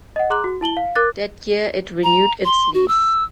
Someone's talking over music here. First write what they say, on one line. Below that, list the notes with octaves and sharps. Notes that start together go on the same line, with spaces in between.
That year it renewed its lease.
D#5 F#5
G#4 A#5 C6 D6 F#6 F#7
F#4
E4 A5 F#7 G7
F5
A#4 D6 F#6 A6
A#5
C6
F#4
E6